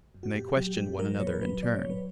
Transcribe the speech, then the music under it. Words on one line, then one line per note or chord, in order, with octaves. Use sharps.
And they questioned one another in turn.
F#2
F#4
A#2 G4
F#3 G4
A#2 G4
F#3 A#4
A#2 C#5
B4
A#4
F#3 B4
A#2 D5
C#5
F#3
B4